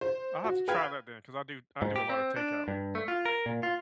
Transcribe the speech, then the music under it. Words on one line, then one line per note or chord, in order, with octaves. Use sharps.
I'll have to try that then 'cause I do I do a lotta takeout.
C5
F#4
B4 F5 G5 F6 G#6
G#2
G4
C4
D4
G2
A3
F4
A#4
A#2
F4